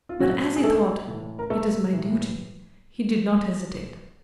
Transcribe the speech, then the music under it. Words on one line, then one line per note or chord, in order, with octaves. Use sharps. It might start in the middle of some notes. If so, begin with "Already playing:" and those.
But as he thought, "It is my duty," he did not hesitate.
F4
A2 F3 F#3 F#4
G#4
A3 A4
A2 E3
A#4
A3 A4
A2 E3